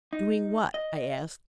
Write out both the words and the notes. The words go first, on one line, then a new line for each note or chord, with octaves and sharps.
"Doing what?" I asked.
D#4
D#5